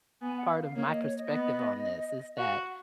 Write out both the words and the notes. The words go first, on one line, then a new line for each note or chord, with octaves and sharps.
part of my perspective on this is that,
B3 G#5
F#5
F5
F5
A#3 C#5
D#5
C#5
D#5
B3
F#4 F5
F#5